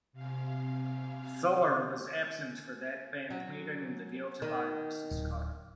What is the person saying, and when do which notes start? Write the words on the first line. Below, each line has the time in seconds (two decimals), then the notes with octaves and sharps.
Fuller was absent for that band meeting and the deal to buy Reese's car.
0.13 C3 F5
3.30 F#3
4.42 D#3
5.11 D1